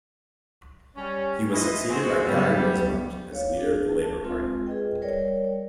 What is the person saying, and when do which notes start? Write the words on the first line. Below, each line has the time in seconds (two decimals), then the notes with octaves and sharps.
He was succeeded by Guy Rozemont as leader of the Labour Party.
0.97 G3 C#4
1.53 E3 F3 D#5
1.89 G#3 C4 F#4
2.26 F#2 C#3 G3 B3
3.32 C#5 F5
3.58 D4 G#4
4.02 A5
4.24 G#3 C4 F4
4.66 G#4 B4 D#5 G5
5.02 G3 A#4 C#5 D5 G5